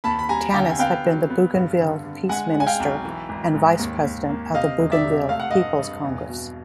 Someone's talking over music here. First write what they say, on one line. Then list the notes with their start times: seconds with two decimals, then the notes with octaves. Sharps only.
Tanis had been the Bougainville Peace Minister and vice-president of the Bougainville People's Congress.
0.04 D#2 A5 B5
0.19 B5
0.29 G3 G#5 A#5
0.54 D3 F5 G5
0.69 G#5
0.79 B3 F5 G5
1.05 F#3
1.30 B3
1.54 G2
1.80 D3
2.04 D3
2.29 G#3 F#5 G#5
2.55 G#3
2.60 G#5
2.66 F5 G5
2.80 B1
3.05 E3
3.29 G#1
3.55 G#2
3.79 D#2
4.04 D#2
4.29 A#3
4.55 C3 D#5 F5
4.79 E1
4.92 D5 E5
5.04 C3
5.29 A3 F5
5.40 F#5
5.51 G2 D#5 F5
5.79 G2
6.04 E2
6.29 B2